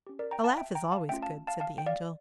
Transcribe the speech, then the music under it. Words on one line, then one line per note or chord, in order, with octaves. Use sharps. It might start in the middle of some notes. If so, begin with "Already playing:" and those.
"A laugh is always good," said the Angel.
C#4 G4
A#4 D5
G5 A#5
F5 A5
E5 G5
G5 A#5
F5 A5
A3 C#4 F4 E5 G5
F5 A5
F5 A5
F5 A5
G5
D5 F5